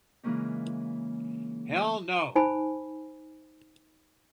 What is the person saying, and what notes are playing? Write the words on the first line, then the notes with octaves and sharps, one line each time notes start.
Hell no!
C#3 E3 G#3 A#3 C#4 D#4
D#4 C5 G#5 B5